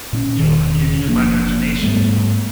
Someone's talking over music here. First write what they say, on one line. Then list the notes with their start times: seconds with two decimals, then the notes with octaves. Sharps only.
you know, and use my imagination, you know?
0.13 A#2 C4 C#4
0.39 E1 D#3
1.08 F#1 F3 A#3 D4
1.81 G#2 G3 A3 B3